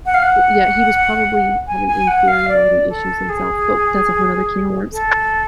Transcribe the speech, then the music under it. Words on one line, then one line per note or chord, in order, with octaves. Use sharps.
Y yeah, he was probably having inferiority issues himself, but that's a whole another can of worms.
F#5
F5
F#5
G#5
G#5
F#5
F5
D5
A4
G#4
A4